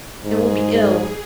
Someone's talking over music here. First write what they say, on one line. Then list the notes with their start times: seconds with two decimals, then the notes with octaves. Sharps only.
It will be ill.
0.24 G#2 G#4